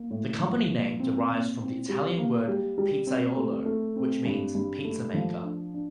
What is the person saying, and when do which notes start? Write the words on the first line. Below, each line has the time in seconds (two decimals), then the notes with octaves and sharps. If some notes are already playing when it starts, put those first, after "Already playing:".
The company name derives from the Italian word "pizzaiolo" which means "pizza maker".
Already playing: A#3
0.11 A2
0.40 F3
0.70 A#2
0.99 C4
1.29 A#2
1.59 C4
1.89 G3
2.18 A#3
2.48 G3
2.78 G3
3.07 C4
3.36 A3
3.65 A3
3.96 C4
4.25 G2
4.55 G2
4.84 A3
5.14 F3
5.43 D4
5.74 D4